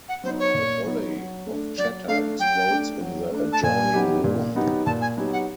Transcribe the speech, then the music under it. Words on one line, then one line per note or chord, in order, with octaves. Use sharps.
A volley of chatter explodes in the adjoining room.
F#5
F#3 B3 D#4 C5
C#5
A#2
F#3 B3 D#4
F#3
A3 D4
F#3 D5
A3 D4 F5
F#3 G5
A3 D4
F#3
A3 D4
A5
A#2 G#5
F#3 B3 D#4 G4
A#2
F#3 B3 D#4 G4
A#2 A5
G#5
F#3 B3 D#4 G4
F#5